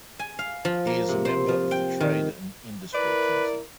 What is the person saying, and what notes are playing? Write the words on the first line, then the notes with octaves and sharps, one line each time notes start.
He is a Member of the Trade and Industry Committee.
G#5
F5
F3
A#3
C3
C5
F3
G5
D#3
E4 A#4 B4 D5